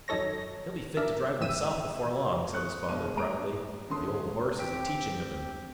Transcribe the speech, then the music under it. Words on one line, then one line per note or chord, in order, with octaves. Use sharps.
"He'll be fit to drive himself before long," said his father, proudly. "The old horse is a-teaching of him."
F#2 D#3 D#4 A4 C#5 A#6
D4 A#4 D5 E5
C3 E3 E5 E6 D#7
C#6 D#6 F#6 C#7
G2 B2 G#3 C5 E5 D#7
D#1 A#5 D7
G1 D3 C#4 A4 C6 D#6
C4 G4